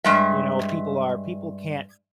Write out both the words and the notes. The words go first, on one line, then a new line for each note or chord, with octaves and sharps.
you know, people are, people can't
G2 G#3 E5